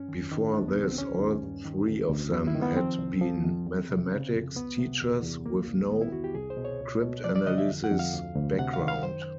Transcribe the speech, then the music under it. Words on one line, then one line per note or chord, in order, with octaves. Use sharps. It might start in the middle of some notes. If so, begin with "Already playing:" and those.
Before this, all three of them had been mathematics teachers with no cryptanalysis background.
Already playing: G2 C#4
D#3
D#3
C2 D4
B3
C2
C4
D#2 C#4
D#2
G2
D#3
D2
D2
F#2 B3
E4
D#3
B3
F3 C4
C2
F3
F2
E2
C3
C#3
F2
C#2 B3
C3
E2
E2
C2 A#3
C2
D#3 B3
E4
E2 F#4
G4
C2 G#4
C5
B2
C#5
C#2
B2
F3 D5
D5
D3 D#5
E5
F2
F#5
F2
F5
D2
D2
C3 F#5
F5
D#3
F5
F#2 C5